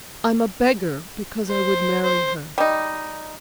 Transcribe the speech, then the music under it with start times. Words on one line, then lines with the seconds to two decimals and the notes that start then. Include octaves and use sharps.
I'm a beggar because I would marry her.
1.48 C5
2.04 C5
2.58 G3 D#4